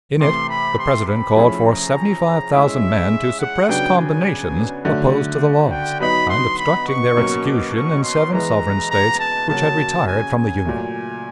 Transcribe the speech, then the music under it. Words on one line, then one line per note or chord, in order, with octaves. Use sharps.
In it the President called for seventy-five thousand men to suppress "combinations" opposed to the laws, and obstructing their execution in seven sovereign States which had retired from the Union.
C3 E3 A3 C6
B5
C6
B5
F3 A3 C#4 E4 G#4
A#5
G#3 C#4 E4 G#4 E5
F#5
C#3 F#3 B3 D4 G5
G#5
D3 F#3 A3
G5
F#3 B3 D#4 B5
C6
B5
C#6
B2 F#3 A#3 C#4
D6
C#6
C6
E3 G#3 B3 A#5
A#5
A5
C#3 F#3 A#3 C#4 F#4 A5
G#5
G#5
A#2 F#3 A3